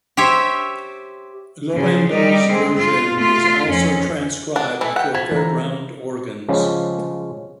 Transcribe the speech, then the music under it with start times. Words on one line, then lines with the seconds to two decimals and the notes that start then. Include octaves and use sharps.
Laurendeau's version was also transcribed for fairground organs.
0.17 G4 C5 C#5 E5
1.74 C#3 F3
2.10 G3 D#4
2.49 G#3 C4
2.78 F4
3.18 A3 F4
3.70 F2 C#4
4.56 D4 F#5
4.81 E3 A3 E4
4.96 F#5 G5
5.15 F3 G#6 B6
5.32 E3 A#5
6.48 C#3 F3 G#3 C#4